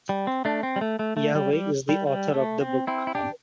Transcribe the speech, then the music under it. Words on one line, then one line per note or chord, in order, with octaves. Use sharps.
Yahweh is the author of the book.
G3
C4
A3 D4
C4
G3
A3
A3
A3
G3
G3
G3
G3
A3
C4
C4 E4
E4
D4 G4